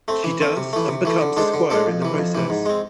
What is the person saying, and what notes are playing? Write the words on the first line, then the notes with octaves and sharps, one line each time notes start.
She does and becomes a squire in the process.
A3 C4
E3
A3 C4
C3
E3 A3
C3
E3 A3
D3
G#3 D4 A4 C5
D3
G#3 D4 A4 C5
F2
C3 E3
F2
C3 E3
G#2
G#3 C4